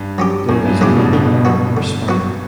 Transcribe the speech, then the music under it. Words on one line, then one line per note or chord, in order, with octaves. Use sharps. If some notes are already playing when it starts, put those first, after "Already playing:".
There is no tower or spire.
Already playing: G2
F#3 C#4 G4
F#2 A2
G2
A2 C#3 F#3 C#4 G4
B2 D3
G2 B2 D3
F#3 B3 F#4
D3
F#3 B3 F#4